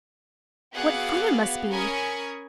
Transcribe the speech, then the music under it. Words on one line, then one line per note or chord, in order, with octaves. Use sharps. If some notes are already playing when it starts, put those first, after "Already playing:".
"What fun it must be!"
B3 F#4 G#4 D5 F5 F#5
C#4 A#4 G#5 B5 C#6 D#6